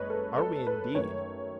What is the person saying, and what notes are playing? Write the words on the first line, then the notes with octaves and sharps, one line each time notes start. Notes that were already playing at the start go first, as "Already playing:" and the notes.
"Are we, indeed?"
Already playing: F#1 F#2 G#3 B4 C#5 D#5
A4
A4
B4
F#2 D#3 A3 C#5